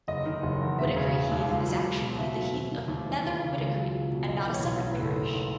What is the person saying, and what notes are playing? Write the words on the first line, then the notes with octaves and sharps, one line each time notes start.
Whitacre Heath is actually the heath of Nether Whitacre and not a separate parish.
F#1 D#5
D#3
F#1
E2
E1 E5
C#3
E1
D#2
C#2
F#3
C#2
B2
D#2 E5
F#3
D#2
D#3
D#2
E3
D#2
C#3
C#2
F#3
C#2
B2
B1 D#5
E3
C#5
B1
A2
B4
F#1 A4
D#3